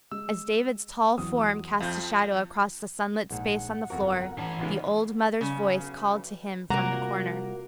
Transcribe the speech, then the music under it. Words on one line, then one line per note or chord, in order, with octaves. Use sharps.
As David's tall form cast a shadow across the sunlit space on the floor, the old mother's voice called to him from the corner.
G#3 E6
E2 F#3 D#6
F2 F3 F5 G6
A#1 G#2 F#5
G1 F2 F#4 A#4
E3 C#4 A5 A#5
D#2 C#3 G#3 B3 F4
B1 C#3
C3 G3 A#3 F4 F#4 A#4 F#5 A#5